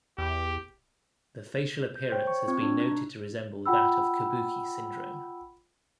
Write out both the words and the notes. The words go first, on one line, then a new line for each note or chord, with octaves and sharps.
The facial appearance has been noted to resemble that of Kabuki syndrome.
E2 G4
G6
C5 C#5 G5
C#6
C4 F4 C#6 G#6
D4 C#6 G#6
D#4 F#6
F4 F#5 G5 B5 E6